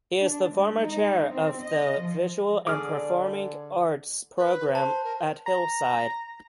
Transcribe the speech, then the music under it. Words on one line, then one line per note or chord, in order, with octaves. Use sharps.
He is the former Chair of the visual and performing arts program at Hillside.
D4
G#3
D#4
C4
D#5
F3
D3 G#4 D5 D6 D#6 F6
B4
C5 A5
A#4
A#5